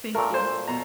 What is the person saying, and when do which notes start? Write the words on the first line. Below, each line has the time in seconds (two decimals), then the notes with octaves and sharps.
Thank you.
0.15 A#2 A3 A#4
0.34 C5
0.67 B2 A#5